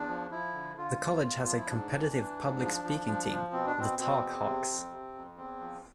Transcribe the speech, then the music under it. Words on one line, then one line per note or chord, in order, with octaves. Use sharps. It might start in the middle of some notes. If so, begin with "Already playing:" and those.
The college has a competitive public speaking team, the Talk Hawks.
Already playing: E2 D4
F3
F3 E4
D3
D3 F4
E2
E2 F4
F3 F4
E4
G#2 D4
E3
E3
G#2
F3
F3
F3
F3
B2 C4
D4
B2 C4
B2 C4
E2
C3
F2
C3
F2
E2 C4
F3